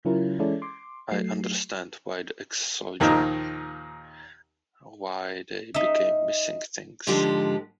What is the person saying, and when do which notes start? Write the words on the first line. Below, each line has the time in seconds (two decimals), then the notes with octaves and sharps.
I understand why the ex-soldier, why they became missing things.
0.05 C#3 F#3 C#4 E4 F4 A#4
0.39 E3 G#3 C#4 E4 A4 D5
0.62 C6 D6
1.11 F#3 A3 C7
3.00 D#2 A#2 D#3 F3 D#4
5.74 D#4 E5
7.07 G#2 D3 F3 G#3 G4